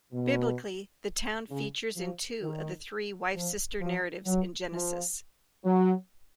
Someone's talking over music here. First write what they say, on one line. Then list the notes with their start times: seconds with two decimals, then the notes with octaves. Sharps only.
Biblically, the town features in two of the three Wife-sister narratives in Genesis.
0.13 B2
1.50 C#3
1.97 F3
2.42 D#3
3.35 F3
3.81 F3
4.26 F#3
4.73 F3
5.65 F#3